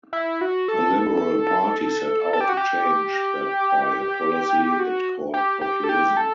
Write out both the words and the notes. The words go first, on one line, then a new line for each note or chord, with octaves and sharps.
The Liberal Party set out to change that by a policy it called populism.
E4
F#4
A4
A4
G4
F#4
G4
F#4
G4
G4
A4
G4
A4